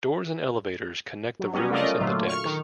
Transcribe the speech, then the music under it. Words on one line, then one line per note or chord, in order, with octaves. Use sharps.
Doors and elevators connect the rooms and the decks.
F#3
F#3 G3 B3 C#4
A3 C#4 F4 A#4 D5 D#5
A#2 D3 F#3 A3 F4
C#6 F6
D#3